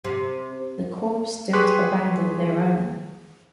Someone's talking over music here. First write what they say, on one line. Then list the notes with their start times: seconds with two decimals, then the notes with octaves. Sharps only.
The Corps don't abandon their own.
0.04 C3
1.53 G4 G#4 B4 C6 C#6 F#6